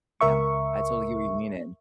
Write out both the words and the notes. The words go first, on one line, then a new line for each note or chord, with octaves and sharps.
Yeah, I totally hear what you mean, and,
C#2 A#4 E5 C#6